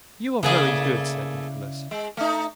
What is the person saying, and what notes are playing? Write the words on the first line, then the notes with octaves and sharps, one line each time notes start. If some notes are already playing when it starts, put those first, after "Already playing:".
'You are very good,' said Nicholas.
C#3 A3 A#3 E4 G#4 D5
G#3
A3 D#4